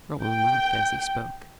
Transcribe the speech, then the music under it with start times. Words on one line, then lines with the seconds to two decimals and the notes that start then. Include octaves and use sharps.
Roland laughed as he spoke.
0.25 G5